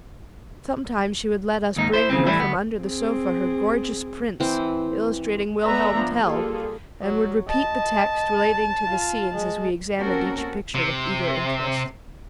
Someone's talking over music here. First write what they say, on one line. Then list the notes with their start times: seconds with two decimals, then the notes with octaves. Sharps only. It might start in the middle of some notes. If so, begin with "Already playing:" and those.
Sometimes she would let us bring her, from under the sofa, her gorgeous prints, illustrating "Wilhelm Tell," and would repeat the text relating to the scenes as we examined each picture with eager interest.
1.76 D#2 G#2 D#4
1.94 E4 C5
2.10 D#2 C#3 E3 C4
2.27 A2 E3 G3 E4
2.40 D2 B3
2.80 C4 G#4
4.40 E3 C4
5.64 B3 A4 B4 D5 E5 A#5
5.93 F3 B3 D4
6.24 G3 A#3 F4 G#4 A4
7.02 F#3
7.49 D#5 A5
8.87 F4
9.34 G#3
9.99 A#3 C4 C#4 F#4 A4 A#4
10.75 C3